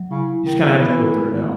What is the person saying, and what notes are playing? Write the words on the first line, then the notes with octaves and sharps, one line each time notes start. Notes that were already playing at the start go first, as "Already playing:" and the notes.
you just kinda have to filter it out.
Already playing: F#3
C#3 E4
E4
D#3 E4
B3
F#3
E3 B3
E4
A3
D#3